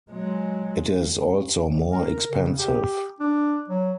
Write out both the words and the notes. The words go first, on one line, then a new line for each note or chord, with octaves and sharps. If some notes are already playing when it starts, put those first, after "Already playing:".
It is also more expensive.
F#3 G#3
A#4
C#3
G4
D4
F#3